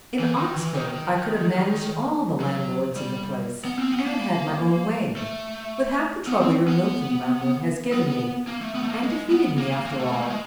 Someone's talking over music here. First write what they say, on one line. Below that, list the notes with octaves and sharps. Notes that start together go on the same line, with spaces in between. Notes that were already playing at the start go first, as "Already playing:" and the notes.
In Oxford, I could have managed all the landlords in the place, and had my own way, with half the trouble your Milton landlord has given me, and defeated me after all.
E3
D#3
E3
D#3
F#3
G3
B3
C4
B3
A#3
A3
B3
C4
B3
B3
A#3
A3
B3
A3
A#3
G#3
B3
A#3
A#3
A#3
A3
A#3
A3
G#3